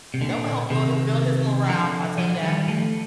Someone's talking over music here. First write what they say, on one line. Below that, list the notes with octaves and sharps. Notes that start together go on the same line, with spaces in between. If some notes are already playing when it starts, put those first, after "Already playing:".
That will help build build his morale, I'll tell you that.
C3
A#2 D3
C3 D#3
D3 F3
D3 F3
D#3 G3
F3 A3